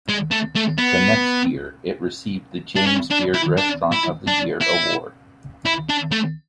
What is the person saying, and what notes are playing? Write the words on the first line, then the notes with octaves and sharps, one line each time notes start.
The next year it received the James Beard Restaurant of the Year Award.
G#3
A3
A3
B3
D4
C#4
D4
E4
D4
E4
D4
E4
E4
D4
A3